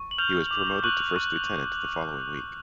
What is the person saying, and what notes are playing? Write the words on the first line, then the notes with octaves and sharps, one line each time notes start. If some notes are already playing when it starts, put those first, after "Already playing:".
He was promoted to first lieutenant the following week.
Already playing: C#6
F#7
F6 G6 F7
D6
C#6 F#6 F#7
C#6